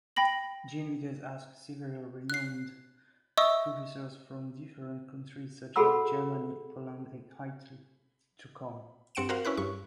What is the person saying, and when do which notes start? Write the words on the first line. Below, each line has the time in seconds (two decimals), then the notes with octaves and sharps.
Jean Vitéz asked several renowned professors from different countries such as Germany, Poland, and Italy to come.
0.16 G5 B5 A#6 F#7
2.30 F#6 C7
3.37 D#5 E5 C#6 D#6 E6
5.76 F#4 G#4 A4 F#5 B5 E6
9.15 G2 C4 F#5 C#7 D7 E7
9.29 F#4 A#4 C5 F5 F#5
9.45 C#4 E4 B4 F#6
9.57 G2 C#6